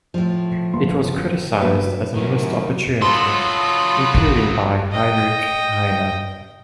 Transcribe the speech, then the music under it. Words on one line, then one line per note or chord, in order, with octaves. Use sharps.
It was criticized as a missed opportunity, including by Heinrich Heine.
A2 F3
G1 C6
F#1 G2 F#4 B4
F#2 A2 D#3
F#3 F4 A4 B5 C6 D#6
D#5 G5